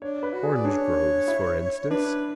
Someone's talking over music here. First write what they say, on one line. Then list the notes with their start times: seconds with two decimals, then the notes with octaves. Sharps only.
Orangegroves for instance.
0.02 D4 C#5
0.23 B4
0.33 F#4
0.43 G#4
0.54 D5
0.65 D4 C#5
1.28 E4
1.91 D4 B4